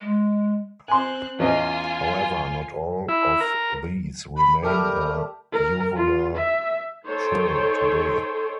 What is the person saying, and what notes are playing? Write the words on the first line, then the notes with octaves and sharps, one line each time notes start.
However, not all of these remain a uvular trill today.
G#3
C4 G#5 C6 F#6
E2 C#4 F4 D#5 G#5
E4
A#4
B5
G3 A3 G4 A#4
A#4
F4
E5
D#4 A4 C5 C#5 G5